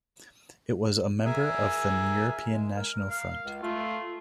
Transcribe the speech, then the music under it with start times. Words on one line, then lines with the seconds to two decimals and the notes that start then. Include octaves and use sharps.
It was a member of the European National Front.
1.25 G#4 A#4 E5 G#5
2.52 G#3
2.76 A#4
3.10 F5
3.44 C#2
3.62 A3 F4